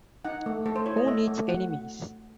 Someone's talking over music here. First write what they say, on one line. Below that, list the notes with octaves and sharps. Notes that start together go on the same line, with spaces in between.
Who Needs Enemies?
D#4 F#5
A3
A3 A4
C5
E4 C#5
D#5
A3 E5
A3
F#4 F#5